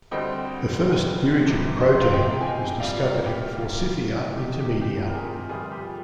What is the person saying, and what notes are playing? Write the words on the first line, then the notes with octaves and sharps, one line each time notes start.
The first dirigent protein was discovered in "Forsythia intermedia".
D2 D3 G3 C4 D#5 G5
G1 F2 C3 F3
C5 D#5
F5
D#5 G5
G#5
D#5 G5
C2 A#2 G3 D5 F5
A#4 D5
G4
C2 C3 D#3 G#3
G4
G4
G4
A#4
F4 G#4
G1 F2 D3 G3 F4 G#4
G4